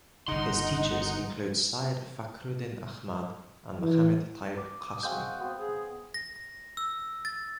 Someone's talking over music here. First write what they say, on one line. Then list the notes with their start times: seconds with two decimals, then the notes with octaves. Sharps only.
His teachers include Syed Fakhruddin Ahmad and Muhammad Tayyib Qasmi.
0.28 G1 C#3 D#4 D#5 F#5 C6
3.82 E3
4.57 D6
4.81 D#6
5.03 G#3 C4 F#4 F5 G#5 G6
5.40 B3 C4 C5
5.58 G#4
6.14 A#6
6.77 E6
7.25 A6